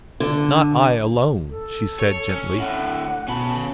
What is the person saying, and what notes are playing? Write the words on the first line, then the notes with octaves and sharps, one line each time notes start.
"Not I alone," she said gently.
D3
A4
C#5
C#4
A2 D3 F#5
B2 C#4 A5 B5